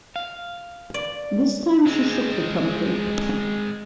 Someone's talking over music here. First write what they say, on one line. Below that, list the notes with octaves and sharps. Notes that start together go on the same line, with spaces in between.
This time she shook the pumpkin.
F5
D5
G#3 C4